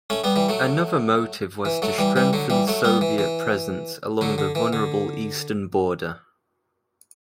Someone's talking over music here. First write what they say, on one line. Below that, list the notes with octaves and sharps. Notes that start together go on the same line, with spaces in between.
Another motive was to strengthen Soviet presence along the vulnerable eastern border.
A3 C#4
G3 B3
E3 G3
F#3 A3
E3
F#3 A3
E3 G3
E3 G3
D3 F#3
E3 G3
F#3 A3
G3 B3
E3
E3
D3 F#3
D3
E3
D3